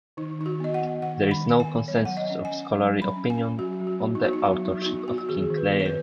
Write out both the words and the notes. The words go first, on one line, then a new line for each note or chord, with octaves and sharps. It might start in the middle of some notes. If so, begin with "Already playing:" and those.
There is no consensus of scholarly opinion on the authorship of "King Leir".
D#3 D#4
D#3 D#4
F#4
B3 D#5
F#5
B3
D#3 F#5
D#3
B5
B3
G#5
B3
F#3 C#5
F#3 F#5
D#5
C#4
G#5
C#4
F#3
F#3
B5
C#4
G#5
C#4
F#3 F#4
F#3
F#4
B3
D#4
B3 F#4
D#4
F#3
F#3 D#4
F#4
B3 D#4
B3 F#4
F#4
D#3 G#4
D#3
B4
B3
C#5
B4